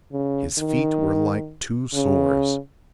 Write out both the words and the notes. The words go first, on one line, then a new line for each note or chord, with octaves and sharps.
His feet were like two sores.
C#3
D#3
C#3